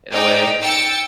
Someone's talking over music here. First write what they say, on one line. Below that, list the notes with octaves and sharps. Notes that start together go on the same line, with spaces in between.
in a way.
D#4 G#4 D5 G5
G5 E6 A6 C#7